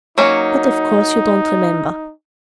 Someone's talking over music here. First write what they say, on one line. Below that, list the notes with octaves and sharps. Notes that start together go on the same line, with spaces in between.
But of course you don't remember.
F#3 A#3 C#4 D#4